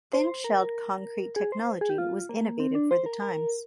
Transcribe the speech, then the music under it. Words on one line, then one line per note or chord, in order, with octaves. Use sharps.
Thin-shelled concrete technology was innovative for the times.
C5
A#4
G#4
C5
G#4
G4
F4
A#3
C4
D4
C5
A#4
A#4